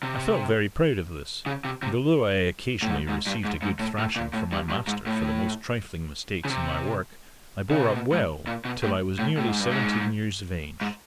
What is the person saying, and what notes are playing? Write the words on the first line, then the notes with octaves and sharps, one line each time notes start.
I felt very proud of this, and although I occasionally received a good thrashing from my master for the most trifling mistakes in my work, I bore up well till I was nearly seventeen years of age.
C3
C#3
C3
C3
A2
G#2
G#2
G2
G#2
G#2
A2
A2
A#2
A2
G2
G2
G#2
A2
C#3
C3
C#3
C3
B2
G#2
A#2
B2
A2
A2
A2
G#2
G2
G#2
G#2